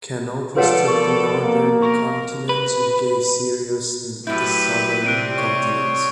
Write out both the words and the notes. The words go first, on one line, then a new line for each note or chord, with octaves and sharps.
Canopus took the northern continents and gave Sirius the southern continents.
F3 F4 A4 B4 C#5 D5 F#5
B3 A#4 C#6
A#3
A#4 C#6
B4
A2 F#3 E4 G4 B4 G6
C3 G3 C4 F#6 D7 D#7
C#5